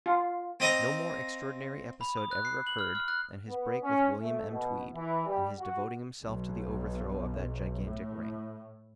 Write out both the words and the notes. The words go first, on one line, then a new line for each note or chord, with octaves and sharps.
No more extraordinary episode ever occurred than his break with William M. Tweed, and his devoting himself to the overthrow of that gigantic ring.
F4
C4 D#5 F5 A#5
B5
D#6
F#6
C7
F#7
F6
F6
F#6
B3
C#4
A3
B2
E3
G3
F#4
B1
A2